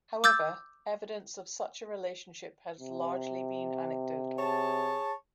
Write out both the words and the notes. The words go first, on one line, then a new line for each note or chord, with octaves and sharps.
However, evidence of such a relationship has largely been anecdotal.
D6 E6 G6 A6
C3
G#4 C#5 A5